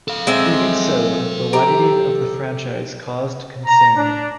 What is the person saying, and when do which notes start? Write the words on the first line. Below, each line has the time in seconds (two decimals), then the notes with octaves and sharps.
Even so, the widening of the franchise caused concern.
0.08 A4 F5
0.27 G#3 C4 E5
1.53 G4 A#5
3.66 A#5
3.96 D4